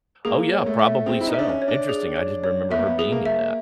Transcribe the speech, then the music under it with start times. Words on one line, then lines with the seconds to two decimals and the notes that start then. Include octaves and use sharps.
oh, yeah, probably so. Interesting, I didn't remember her being in that.
0.25 A#3 G#4
0.52 C#5
0.66 A3
0.79 E5
1.06 C4 G#4
1.21 E4
1.27 D#4
1.34 D4 E5
1.48 C#4
1.62 C#5
1.68 D4
1.89 G#4
2.16 C#5
2.44 C#5
2.70 B3 E5
2.79 A#3
2.86 B3
2.99 G#4
3.12 A#3
3.26 E5